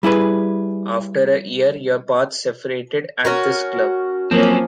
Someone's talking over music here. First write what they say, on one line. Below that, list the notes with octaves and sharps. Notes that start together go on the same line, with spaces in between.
After a year, your paths separated at this club.
G3 E4 G#4 B4
C#4 F#4 A#4
F3 F#3 A#3 C4 C#4